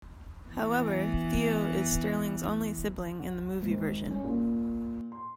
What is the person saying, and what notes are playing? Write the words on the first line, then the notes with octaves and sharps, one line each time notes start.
However, Theo is Sterling's only sibling in the movie version.
E3 B3
F#5
G#1
C#4
A#2
C6